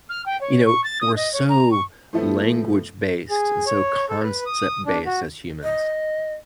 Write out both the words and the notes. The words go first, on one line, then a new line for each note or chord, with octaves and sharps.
you know, we're so language based and so concept based as humans,
F6
G5
C#5
C#6
A6
D#6
D#5
C#5
A#5
C#6
A2 F3 A3 B3
G#4
C#5
A4
B4
D#6
D4
F#4
D#5